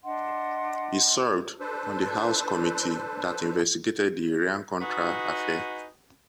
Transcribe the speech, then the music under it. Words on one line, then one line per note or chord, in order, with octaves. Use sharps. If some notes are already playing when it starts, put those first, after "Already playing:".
He served on the House committee that investigated the Iran-Contra Affair.
D4 D#5 F#5 C6
D4 A4 B4 C5
D#4 F#4 G#4 B4 D#5